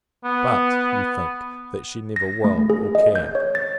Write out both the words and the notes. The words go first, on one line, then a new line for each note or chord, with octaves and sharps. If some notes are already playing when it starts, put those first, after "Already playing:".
But, you think, that she never will, or can.
B3
A#6
A3
G#4
D#5
G6
C#5
A6